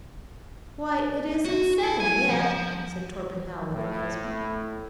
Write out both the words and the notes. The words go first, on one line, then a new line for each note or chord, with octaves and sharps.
'Why, it isn't seven yet!' said Torpenhow, with amazement.
F#4
E4
G#5
F3
A2